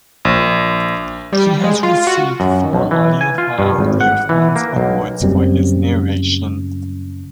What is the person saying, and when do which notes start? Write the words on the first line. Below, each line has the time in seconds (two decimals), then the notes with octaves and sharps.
He has received four AudioFile Earphones Awards for his narration.
0.25 A#1
1.32 G3
1.64 G#3
1.83 F4
2.07 F#4
2.40 F#2
2.73 B1
2.91 E3
3.21 G#5
3.38 F4
3.59 G2
3.79 G#1
4.00 F#5
4.29 E3
4.56 A#3
4.76 B1
5.22 F#1 F#2 G3 C4